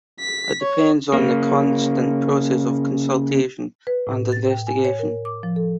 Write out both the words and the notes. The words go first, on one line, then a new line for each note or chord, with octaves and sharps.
It depends on a constant process of consultation and investigation.
B6
C#5
C#3 A#3
B4
A2
A6
G5
G#5
C#5
A#4
D6
F3
A4